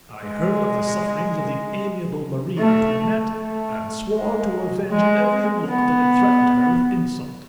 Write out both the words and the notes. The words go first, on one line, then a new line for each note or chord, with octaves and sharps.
I heard of the sufferings of the amiable Marie Antoinette, and swore to avenge every look that had threatened her with insult.
G#3
A3
A3
G#3
G#3
B3